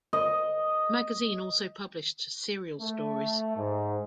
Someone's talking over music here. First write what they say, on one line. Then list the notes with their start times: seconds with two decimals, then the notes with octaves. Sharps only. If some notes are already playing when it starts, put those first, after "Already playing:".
The magazine also published serial stories.
0.13 D#5
2.80 A3
3.57 G#2